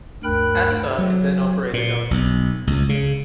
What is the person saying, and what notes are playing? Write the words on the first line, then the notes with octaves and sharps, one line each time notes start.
Aastha is then operated on.
D2 G2 A#4 G5 B5 F#6
F#3
A#2
B1
C#2
C#3